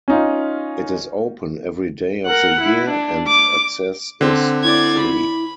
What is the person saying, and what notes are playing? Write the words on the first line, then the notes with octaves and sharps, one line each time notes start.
It is open every day of the year and access is free.
C#4 D#4 F4
A#4 F#5
E4
D4
D6
D3 C4
E4 D5 G#6
B5